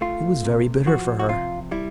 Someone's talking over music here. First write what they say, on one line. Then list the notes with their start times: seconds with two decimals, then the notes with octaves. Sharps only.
It was very bitter for her.
0.01 A3 F4
0.44 C3
0.86 F3 F#4
1.19 F#4
1.29 C3 F4
1.71 G3 E4